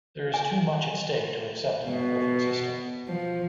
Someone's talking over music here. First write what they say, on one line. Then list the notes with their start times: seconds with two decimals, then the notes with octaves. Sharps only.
There is too much at stake to accept an imperfect system.
0.34 G#5
1.86 B2
3.09 F3